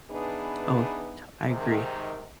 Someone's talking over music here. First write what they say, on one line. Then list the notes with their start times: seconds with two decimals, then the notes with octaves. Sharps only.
Oh, to I agree.
0.11 E3 B3 D4 D#4 G#4 B4
1.47 G#2 C3 D#3